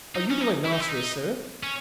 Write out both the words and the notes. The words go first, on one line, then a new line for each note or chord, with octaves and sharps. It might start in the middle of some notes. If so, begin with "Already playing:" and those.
"Are you the rhinoceros, sir?"
D#4
C#4
D#4
E4
D#4
E4
D#4
C#4